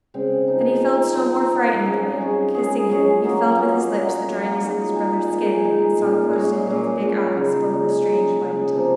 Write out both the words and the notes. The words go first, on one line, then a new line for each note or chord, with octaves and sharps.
And he felt still more frightened when, kissing him, he felt with his lips the dryness of his brother's skin and saw close to him his big eyes, full of a strange light.
C#3 G#3 C4
F3 C4 D#4
F3 C4 D#4
F3 C4 D#4
F3 C4 D#4
G#3 C#4 G#4
G#3 C#4 G#4
G#3 C#4 G#4
G#3 C#4 G#4
F#3 A#3 F4
F#3 A#3 F4
F#3 A#3 F4
F#3 A#3 F4
D#3 G#3 D#4 G#4
D#3 G#3 D#4 G#4
D#3 G#3 D#4 G#4
D#3 G#3 D#4 G#4
A#2 G#3 C#4
A#2 G#3 C#4
A#2 G#3 C#4
A#2 G#3 C#4
C#3 G#3 D#4
C#3 G#3 D#4
C#3 G#3 D#4
C#3 G#3 D#4
C3 F3 A#3